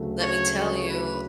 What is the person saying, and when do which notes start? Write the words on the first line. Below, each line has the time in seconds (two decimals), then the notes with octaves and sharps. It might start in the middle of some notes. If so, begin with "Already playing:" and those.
let me tell you,
Already playing: D2 C#3 F#3 A3
0.17 C#5
0.53 C#5
0.87 B4